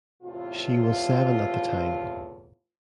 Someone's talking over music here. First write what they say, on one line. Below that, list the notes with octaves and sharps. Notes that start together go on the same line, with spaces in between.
She was seven at the time.
E2 A2 C3 F4